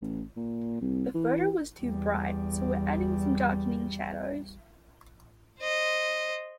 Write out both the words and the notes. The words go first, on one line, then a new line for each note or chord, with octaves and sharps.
The photo was too bright so we're adding some darkening shadows.
A1
A#2
C2
E3
E2 G3
C5 D#5